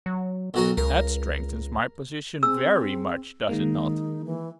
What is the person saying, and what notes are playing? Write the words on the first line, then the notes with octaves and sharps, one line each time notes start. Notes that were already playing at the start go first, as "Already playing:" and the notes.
That strengthens my position very much, does it not?
F#3
B1 F#4 A#4
C#2 A#4
C4 G#4 E6
D#3 G#3 A#3 D#4
E3